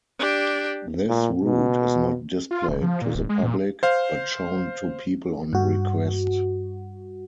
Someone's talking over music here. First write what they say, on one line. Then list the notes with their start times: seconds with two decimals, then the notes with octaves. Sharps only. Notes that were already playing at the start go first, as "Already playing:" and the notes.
This root is not displayed to the public, but shown to people on request.
0.19 D4 G4
1.07 A#2
1.44 B2
2.51 F4
2.69 D#1
2.82 F3
3.02 A#2
3.15 D1
3.29 G#3
3.43 A#2
3.83 C5 F5
5.53 G2 F#4